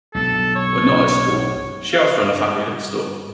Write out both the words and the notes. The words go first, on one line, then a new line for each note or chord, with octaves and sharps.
When not at school, she helps run the family liquor store.
B1 G2 A4
C#5
F5
G2